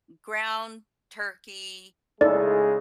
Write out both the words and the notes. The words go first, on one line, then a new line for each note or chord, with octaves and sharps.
m ground turkey,
C#3 G#3 D#4 E4 A4 D5